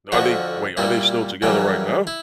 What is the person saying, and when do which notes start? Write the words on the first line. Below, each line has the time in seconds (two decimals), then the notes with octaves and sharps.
Are they wait, are they still together right now?
0.12 F2 D3 F3 F#4
0.77 A#2 G3 E4
1.42 F#2 C#3 E3 G3
2.07 E4